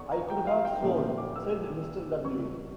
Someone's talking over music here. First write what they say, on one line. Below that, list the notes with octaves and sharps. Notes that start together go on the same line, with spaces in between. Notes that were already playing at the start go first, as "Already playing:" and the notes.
"I could have sworn — " said Mr. W..
Already playing: E2 C#6
A#5
G5
F5
G5
A#2 F3 A3 C#4
D6
E6
E2 C#3 G3 C#6